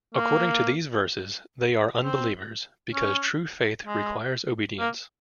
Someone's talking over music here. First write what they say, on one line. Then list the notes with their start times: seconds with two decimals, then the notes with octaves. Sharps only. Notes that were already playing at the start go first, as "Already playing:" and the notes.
According to these verses, they are unbelievers; because true faith requires obedience.
0.15 A#3
2.01 C4
2.94 C#4
3.87 G#3
4.79 A#3